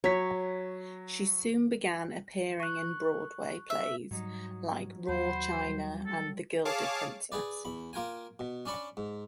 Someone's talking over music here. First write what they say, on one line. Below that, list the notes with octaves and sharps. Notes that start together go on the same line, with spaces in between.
She soon began appearing in Broadway plays like "Roar China" and "The Gilded Princess".
F#3 C#5 B6
C#6 F#6
E5
G#2 F#3 G3 D#4
D#2 F#3 C5 F#5 B5
G3
A4
G#4 C#5 F5 A5 D6
G#4 B4 D5
E2 B5
A#3 F4 A#4 G5 G#5
B2
C#4 D4 D5 B5 C#6
G#2